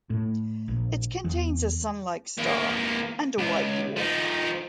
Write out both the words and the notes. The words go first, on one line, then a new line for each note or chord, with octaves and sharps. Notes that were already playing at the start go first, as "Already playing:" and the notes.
It contains a Sun-like star and a white dwarf.
A2
A#1
E2
E2 A#3
C#2
F3 D#4